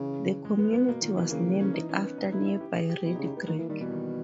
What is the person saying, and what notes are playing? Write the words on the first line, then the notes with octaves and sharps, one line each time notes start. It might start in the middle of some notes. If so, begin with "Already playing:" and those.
The community was named after nearby Reedy Creek.
Already playing: C#3 E3
G#3
B3
B3
B2 A#3
A#2 D#3
B2 E3
C#3 A#3
C#3
C#3 C#4
E3 D#4
E3 C#4
B3
D#4
E4
E4
G4
G#4
G4
B2 E4
D#4
C#3
D#4
B3
D#3 A#3
E3 A#3
D#3 G3
B2 E3
D#3